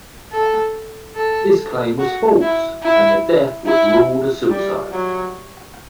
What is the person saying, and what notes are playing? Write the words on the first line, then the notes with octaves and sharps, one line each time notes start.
This claim was false, and the death was ruled a suicide.
A4
A4
F#4
E4
E4
E4
G3
F#3